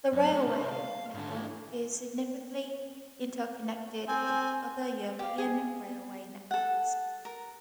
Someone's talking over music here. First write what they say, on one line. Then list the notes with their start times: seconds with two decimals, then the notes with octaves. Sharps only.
The railway network is significantly interconnected with other European railway networks.
0.13 F#2
0.31 A3 C#4
0.47 C2
0.71 F5
1.14 G#2 D3
1.30 E3 A3
4.07 C4 G#5
5.19 G4 F5
5.38 G#4
6.51 A4 F#5
7.25 A#4